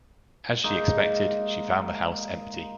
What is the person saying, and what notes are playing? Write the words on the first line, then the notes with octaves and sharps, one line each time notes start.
As she expected, she found the house empty.
G#3 A#3 D#4